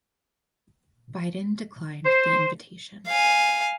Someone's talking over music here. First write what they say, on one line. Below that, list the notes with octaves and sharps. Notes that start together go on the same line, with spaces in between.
Biden declined the invitation.
C5
F5 G#5